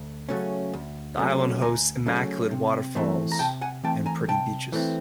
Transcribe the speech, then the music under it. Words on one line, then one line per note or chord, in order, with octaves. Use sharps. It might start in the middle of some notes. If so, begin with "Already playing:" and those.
The island hosts immaculate waterfalls, and pretty beaches.
Already playing: D2
C#3 F#3 A3 C#4
D2
C#3 F#3 A3 C#4
D2 G#5 A#5
C#3 F#3 A3 C#4
C3
E3 A3 C4
A#5
C3 G5 A5
F#5 G#5
E3 A3 C4 G5 A5
G#5 A#5
C3 G5 A5
E3 A3 C4